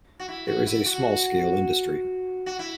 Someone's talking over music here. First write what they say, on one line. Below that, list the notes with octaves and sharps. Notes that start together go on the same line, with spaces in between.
There is small scale industry.
F#4
E4
F#4
E4
F#4
F#4
E4